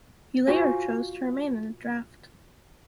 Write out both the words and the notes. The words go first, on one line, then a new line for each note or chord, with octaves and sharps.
He later chose to remain in the draft.
F4 F#4 C5 G#5